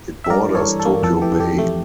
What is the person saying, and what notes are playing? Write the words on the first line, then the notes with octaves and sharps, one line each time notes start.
It borders Tokyo Bay.
E5
G2 A#4 D5
E3
A4 C#5
G2
A4
A#3
F2 A4
E3 G4
F2 G4
A3